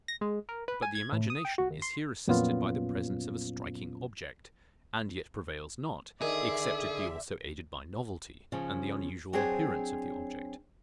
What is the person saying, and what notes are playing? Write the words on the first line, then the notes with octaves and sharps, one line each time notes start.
But the imagination is here assisted by the presence of a striking object; and yet prevails not, except it be also aided by novelty, and the unusual appearance of the object.
A#6
G#3
A#4
B4
G#5
G#6
A2
D#6
G5
F#4
D#2
C6
F2 A#2 F#3 B3 C#4 F4
D3 D#3 G#4 D5 E5
C#3 F3 C#4
F#3 C4 D4 G#4 C5 C#5